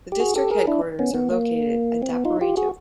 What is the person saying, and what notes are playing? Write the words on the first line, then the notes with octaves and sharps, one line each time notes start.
The district headquarters are located at Daporijo.
G4
F#4 G#4
G4 A4
G#4 A#4
D4 E4
B3 C#4
B3
A#3
C4
B3
D#4 F4
F4 G4
F#4 G#4